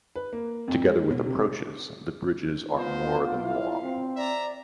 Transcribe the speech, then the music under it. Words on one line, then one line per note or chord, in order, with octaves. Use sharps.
Together with approaches, the bridges are more than long.
B4
A#3
F2
G#3
B2
C3
B3 D#4 F4 C5
E4 F5
C4
D5 E5 A#5